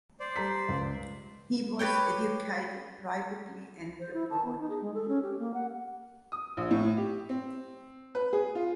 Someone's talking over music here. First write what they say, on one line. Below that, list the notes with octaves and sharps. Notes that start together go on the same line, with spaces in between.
He was educated privately and abroad.
C5 D5
G3 A#5 B6
C#2
G4 B4 C#5 G5
C5
E4
A5
B3
D#4
G#4
G#3
A4
C#4
G4
A#3
F#5
D#6
A#1
A2
G4
C4
B4
G#4
F4